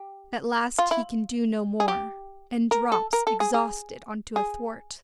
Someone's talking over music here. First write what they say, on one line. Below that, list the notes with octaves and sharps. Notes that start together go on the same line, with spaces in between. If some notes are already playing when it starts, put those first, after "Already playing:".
At last he can do no more, and drops exhausted on to a thwart.
Already playing: G4
F4
E4
G#4
G4
A#4
A4
A#4
A4
G#4
G#4
G#4